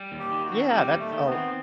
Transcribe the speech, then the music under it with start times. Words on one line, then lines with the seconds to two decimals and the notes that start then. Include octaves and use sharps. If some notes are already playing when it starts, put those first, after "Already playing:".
Yeah. That's Oh
Already playing: G3
0.12 D#2
0.19 G4
0.32 D#3
0.46 F#4
0.52 C4
0.72 G3 G4
0.92 D#2
0.99 A3
1.12 D#3
1.25 B3
1.32 C4